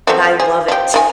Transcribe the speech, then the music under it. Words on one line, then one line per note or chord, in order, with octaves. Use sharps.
And I love it.
A3 C4 F#4
G#4
F3 G4
D#3 F4 G#5